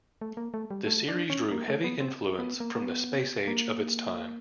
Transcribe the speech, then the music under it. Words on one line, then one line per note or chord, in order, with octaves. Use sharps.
The series drew heavy influence from the Space Age of its time.
A3
A#3
A3
G3
A3
D4
C#4
A#3
A3
B3
C4
B3
A#3
A#3
B3
A#3